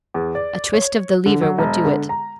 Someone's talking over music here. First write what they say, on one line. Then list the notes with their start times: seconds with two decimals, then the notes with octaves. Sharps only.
A twist of the lever would do it.
0.14 E2
0.35 D5
0.73 C#5
1.26 D3
1.42 F#3
1.58 E1
1.85 D3
2.09 A#5